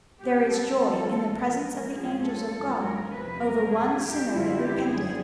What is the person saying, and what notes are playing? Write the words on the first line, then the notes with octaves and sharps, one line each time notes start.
There is joy in the presence of the angels of God over one sinner that repenteth.'
B2 G3 C4 G4
A4
E3 G#3 C4 F4 A4
A#2 F3 G#3 A#4
G#2 E3 G#3 C#4 F4 G#4
A4
G2 E3 G#3 C#4 F4
A#4
E2 C3 F3 G#3 C4 B4
A#4
G2 E3 G3 G#4
G4
F#2 D3 G3 C4 E4 F4
G4
F#2 D3 G3 G#4